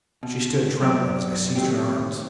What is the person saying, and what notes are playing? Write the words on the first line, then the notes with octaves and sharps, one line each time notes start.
She stood trembling as I seized her arms.
B2
F#3 B3 D5
D#3 E3 G3 A3 C4 G4